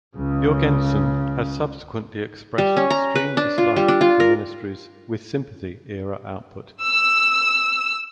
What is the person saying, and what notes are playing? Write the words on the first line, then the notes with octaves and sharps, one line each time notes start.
Jourgensen has subsequently expressed extreme dislike for Ministry's "With Sympathy"-era output.
C#2 C#3
G3
C#4
A#5
B4
D4
F4
G3
D4
F4
A#4
E6